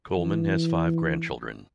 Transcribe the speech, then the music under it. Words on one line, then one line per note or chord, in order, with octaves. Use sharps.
Coleman has five grandchildren.
E3